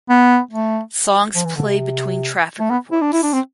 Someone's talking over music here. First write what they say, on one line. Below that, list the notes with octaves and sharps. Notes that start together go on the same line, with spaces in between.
Songs play between traffic reports.
B3
A3
F3
E3
D3
C3
A3
B3
E4
D4
E4
D4
C4